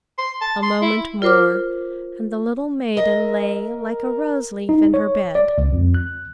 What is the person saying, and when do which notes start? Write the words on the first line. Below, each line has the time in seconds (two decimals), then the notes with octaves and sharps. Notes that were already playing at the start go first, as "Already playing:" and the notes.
A moment more and the little maiden lay like a rose-leaf in her bed.
0.18 C6
0.41 A5
0.63 C6
0.82 E4
1.22 F4 A#4 C5 D6 F6
2.97 A#4 D#5 E5
4.69 D#4
4.94 C#5
5.35 D5
5.58 C#2
5.73 F2
5.94 F#6